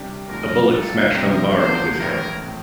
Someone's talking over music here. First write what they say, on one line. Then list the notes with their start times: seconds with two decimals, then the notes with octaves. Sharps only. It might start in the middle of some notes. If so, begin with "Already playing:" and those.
A bullet smashed on the bar above his head.
Already playing: C3 G3 D4 G4
0.29 D2 C3 F3 A3 D4 A#4
0.72 A#1 A#2 G3 A#3 A4
1.14 C2 C3 G3 C4 A#4
1.57 E2 D3 F3 A#3 D4 C5
2.00 A1 A2 E3 A3 C4 A#4
2.43 A2 F3 C4